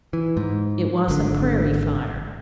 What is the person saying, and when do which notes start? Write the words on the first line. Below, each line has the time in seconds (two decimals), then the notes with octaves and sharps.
It was a prairie fire.
0.13 E3
0.37 G#2
1.08 G#1 D3